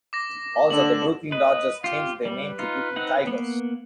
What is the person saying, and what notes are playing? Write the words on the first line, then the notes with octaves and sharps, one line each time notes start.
Also, the Brooklyn Dodgers changed their name to Brooklyn Tigers.
D6 A#6
D3 E7 F#7
B4 D#5
F4 G4 F5
G3 B4
D#4 F4
C4 D#4 F#5
A#3 B3